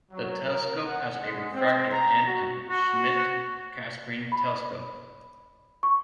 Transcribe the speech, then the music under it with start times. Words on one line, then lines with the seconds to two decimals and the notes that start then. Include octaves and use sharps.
The telescope has a refractor and an Schmidt-Cassegrain telescope.
0.11 F#3
0.45 A#4
0.86 F#5
1.21 G#3
1.53 C4
1.91 A#5
2.27 F#4
2.69 F#4
4.32 B5
5.83 C#6